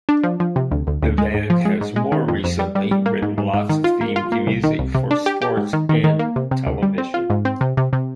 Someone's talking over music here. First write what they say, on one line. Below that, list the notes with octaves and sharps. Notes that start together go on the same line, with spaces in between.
The band has more recently written lots of themed music for sports and television.
D4
F3
F3
C3
D2
D2
D2
G#3
G#2
F3
G#3
G#2
G#3
D#3
F2
F2
G3
G3
G3
A#3
G#2
G#2
G#2
D#3
F4
A#3
F4
A#3
C2
D#3
C2
C3
D4
G4
G4
G#2
D#3
D#3
D#3
A#3
C3
C3
D2
G3
C4
F4
G#2
C4
C3
C3
C3